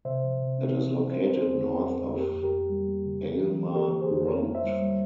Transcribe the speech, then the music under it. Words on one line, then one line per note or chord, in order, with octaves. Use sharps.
It is located north of Aylmer Road.
C3 C5 E5
F3
C3
C4
F3
F3
C4 C5
C4 A#4
G#4 C5
F2
F2
C4
F2
A#3 G4 A#4
F2
G4 A#4
F2
G3
A#3
C#3
E4
E3
A#3
A#3 G4 A#4
A#3
G#4 C5
F2
A#3 A#4 C#5
E4
C5 E5
G3
G3